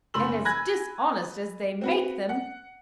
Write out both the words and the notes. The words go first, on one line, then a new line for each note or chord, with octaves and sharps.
'And as dishonest as they make them.'
F#1 A3 B5 C6 E6 F#7
G#5 B5 F#6 G#6 A#6
C4 F#4 B4
F#5